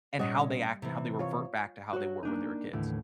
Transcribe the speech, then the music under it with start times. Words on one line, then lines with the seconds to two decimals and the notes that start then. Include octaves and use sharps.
and how they act and how they revert back to how they were when they were kids.
0.19 A#2 G3 C#4 C#5 D#5 F#5
0.82 C3 E3
1.19 F4 C#5
1.93 F#4 C#5
2.23 A#3 D4 D#4
2.73 D#2 A2 D3 E3